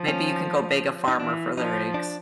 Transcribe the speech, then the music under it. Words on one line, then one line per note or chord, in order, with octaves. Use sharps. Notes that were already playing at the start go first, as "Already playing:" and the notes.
Maybe you can go beg a farmer for their eggs,
Already playing: F3
C#4
D#4
E3 D4
F3 D#4
D4